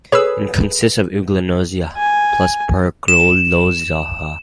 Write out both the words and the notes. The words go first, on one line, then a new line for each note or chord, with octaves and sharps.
It consists of Euglenozoa plus Percolozoa.
G#4 B4 C#5 B5 E6
G#5
E7